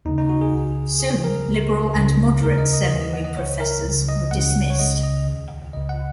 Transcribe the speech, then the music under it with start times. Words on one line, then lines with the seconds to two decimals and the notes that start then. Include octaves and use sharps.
Soon liberal and moderate seminary professors were dismissed.
0.05 D#2 D#4
0.09 C#3
0.18 D#4
0.29 F#4
0.41 G#4
0.52 C#2 C#3
1.00 D#2 C#3 G#4
1.24 A#4
1.48 C#2 C#3
1.95 C#2 C#3
2.42 D#2 C#3 A#4
2.58 D#5
2.73 D#5
2.90 D#3 D#5
2.94 D#2
3.01 D#5
3.13 F#5
3.25 D#5
3.37 C#2 C#3 C#5
3.60 A#4
3.84 C#2 C#3
4.09 D#5
4.31 C#2 C#3 F#5
4.70 C#5
4.79 C#2 C#3 D#5
5.03 D#5
5.27 D#2 D#3
5.73 C#2 C#3 D#5
5.89 F#5